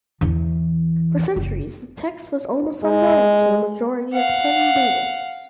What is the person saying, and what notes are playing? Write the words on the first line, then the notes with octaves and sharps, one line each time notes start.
For centuries, the text was almost unknown to the majority of Shin Buddhists.
E2 E3
F#1
G#3
F5 F#5